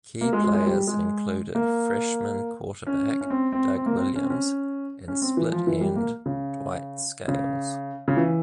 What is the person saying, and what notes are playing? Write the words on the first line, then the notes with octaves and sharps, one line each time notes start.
Key players included freshman quarterback Doug Williams and split end Dwight Scales.
A#3
G#3
G#3
G#3
G3
G#3
A#3
C#4
C#4
C4
C4
C4
A#3
C4
C#4
C4
C#4
C#4
C4
E3
F3
E3
G3
A#3
C#3
C#3
C#3
E3